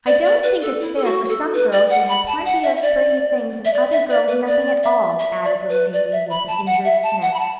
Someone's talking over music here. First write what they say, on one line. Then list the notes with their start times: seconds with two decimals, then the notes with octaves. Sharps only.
"I don't think it's fair for some girls to have plenty of pretty things, and other girls nothing at all," added little Amy, with an injured sniff.
0.06 D5
0.25 D5
0.43 B4
0.62 A4
0.80 E4
0.95 A4
1.04 F#4
1.29 A4
1.53 B4
1.72 D5
1.90 F#5
2.09 B5
2.27 A5
2.45 F#5
2.63 E5
2.76 E5
2.82 D5
3.65 E5
3.74 D5
3.91 E5
4.10 D5
4.28 B4
4.47 D5
4.83 E5
5.19 E5
5.44 D5
5.69 B4
5.93 D5
6.12 E5
6.30 B5
6.48 A5
6.67 F#5
6.85 E5
7.03 A5
7.22 F#5
7.34 B5
7.39 A5